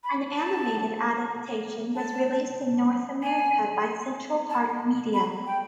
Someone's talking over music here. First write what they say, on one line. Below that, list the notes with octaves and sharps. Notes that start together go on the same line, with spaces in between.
An animated adaptation was released in North America by Central Park Media.
B5
A5
A5
G#5
A5
B5
G5